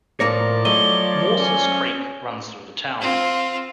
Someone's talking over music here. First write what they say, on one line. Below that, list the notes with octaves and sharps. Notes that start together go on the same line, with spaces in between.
Morses Creek runs through the town.
A2 F3 A#3 C#5 D5 A#6
F#3 A3 C#5 D#5 G7
C#4
C4 F4